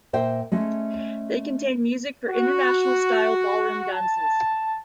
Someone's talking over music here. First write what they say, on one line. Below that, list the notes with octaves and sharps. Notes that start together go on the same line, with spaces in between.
They contain music for International Style ballroom dances.
A#2 C5 E5 G5
G#3 A3 C#4
F#4
A5